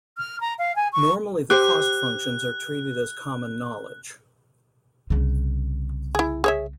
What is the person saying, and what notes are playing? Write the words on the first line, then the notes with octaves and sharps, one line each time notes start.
Normally the cost functions are treated as common knowledge.
F6
A#5
F5
G#5
C#6
G4 C5 F#6
C2 C#3
E4 G#4
G#4 C#5 E5